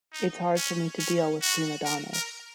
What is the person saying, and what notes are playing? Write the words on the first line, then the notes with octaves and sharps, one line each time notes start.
It's hard for me to deal with prima donnas.
D#4
C#4
C#4
F#4
A#4
A#4